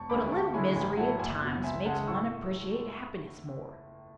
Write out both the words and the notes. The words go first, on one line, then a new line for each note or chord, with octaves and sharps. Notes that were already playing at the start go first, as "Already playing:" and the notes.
But a little misery, at times, makes one appreciate happiness more.
Already playing: E1 A5 C#6
D2 D3 G#3 B3 B5 D6
D2 A5 C#6
D3 G#3 C#4 E4 G#5 B5
A1 G#5 B5
A2 F#3 A3 E4 F#5 A5
F#1 E5 G#5
E2 B2
C#2 E5 G#5
C#3 G#3 F#5 A5
A2 C#6 E6